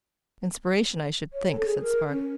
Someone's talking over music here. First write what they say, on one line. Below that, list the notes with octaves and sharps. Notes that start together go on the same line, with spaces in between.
"Inspiration, I should think," said Spargo.
C#5
A4
G#4
A#4
C#4